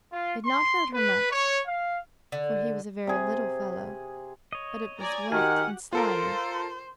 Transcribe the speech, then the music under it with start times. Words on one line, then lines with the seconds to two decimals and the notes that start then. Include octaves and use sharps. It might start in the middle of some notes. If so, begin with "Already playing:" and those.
It did not hurt her much, for he was a very little fellow, but it was wet and slimy.
0.12 F4
0.45 C6
0.94 B4
1.30 C#5
1.66 F5
2.32 D3
3.07 C3 G#4
4.53 C#5 D#5
4.99 D5 G#5 A#5
5.32 D#3 F#4 G4 F#5 G#5 F6
5.93 F4 A4 A#4 C5